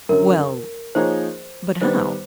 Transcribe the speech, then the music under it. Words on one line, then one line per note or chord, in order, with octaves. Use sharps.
"Well; but how?"
F#2 D3 F#3 A#4
F3 A#3 D#4 G#4 C5 C#5
D#3 G3 B3 C5